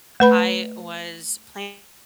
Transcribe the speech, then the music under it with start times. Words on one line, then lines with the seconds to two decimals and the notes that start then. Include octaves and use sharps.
I was planning
0.20 A3 B4 B5